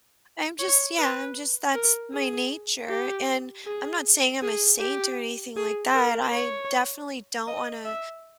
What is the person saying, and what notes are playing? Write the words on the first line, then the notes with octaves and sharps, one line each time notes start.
I'm just yeah, I'm just that's my nature, and I'm not saying I'm a saint or anything like that. I definitely don't wanna
C#5
B4
A#4
G#4
G4
G#4
G#4
G4
G#4
A#4
C#5
D#5
E5